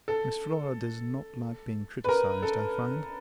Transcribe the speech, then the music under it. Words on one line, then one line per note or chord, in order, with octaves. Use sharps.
Miss Flora does not like being criticized, I find.
A4
B4
A#4
A4